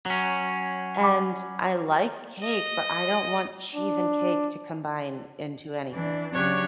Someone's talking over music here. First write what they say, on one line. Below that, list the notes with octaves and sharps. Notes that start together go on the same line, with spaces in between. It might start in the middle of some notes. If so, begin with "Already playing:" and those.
and I like cake, but I don't want cheese and cake to combine into anything.
F#3 C#4
B5 D6
D#5
D4
E3 D4
C#3 F#3 D4 G4 C#5 F#6